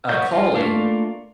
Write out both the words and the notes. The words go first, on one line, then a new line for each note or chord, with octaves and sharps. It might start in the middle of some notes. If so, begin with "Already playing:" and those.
a calling
F#3 B3 F#4 D#5 G6
G3 F4
A3 A#3 D4 F4